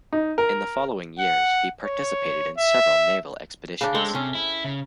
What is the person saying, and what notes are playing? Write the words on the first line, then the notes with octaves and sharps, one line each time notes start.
In the following years, he participated in several naval expeditions.
D#4
A#4
F#5
C#5
E5
C#3 D4
G#3 C4 A4
C3 C#4
E4
C#3